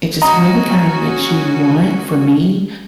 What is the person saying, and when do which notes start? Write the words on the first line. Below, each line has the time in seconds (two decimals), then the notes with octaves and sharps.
it just really kinda makes you want, for me,
0.22 G#3 C#4 F#4 D#5 A#5